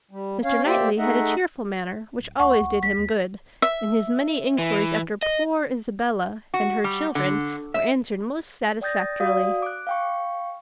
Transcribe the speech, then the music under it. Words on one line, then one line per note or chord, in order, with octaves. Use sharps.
Mr. Knightley had a cheerful manner, which always did him good; and his many inquiries after "poor Isabella" and her children were answered most satisfactorily.
G3
C#4 C#5 F5
A#3 G4 C5 D5 E5 G5
A3 D#4 G#4 D#5 E5 F#5
D1
D2 F#5 C#6
D2
A#1 B6
D#2
E5
E3
D#5
F#4
G3
D3
E5
D5 G5 D#6 G6 A6 A#6
F#4 D5 F5 D#6
D6 F#6
F5 G5 C#6